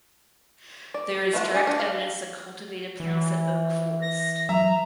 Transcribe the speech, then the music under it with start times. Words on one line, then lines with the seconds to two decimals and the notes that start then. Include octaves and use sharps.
There is direct evidence of cultivated plants at Oak Forest.
0.94 D5
1.33 A3 E4 F4 C#5 F#5
1.54 G4 G#4
1.67 D4
1.80 F5
3.00 E3
4.02 A#6
4.49 F#3 E5 A#5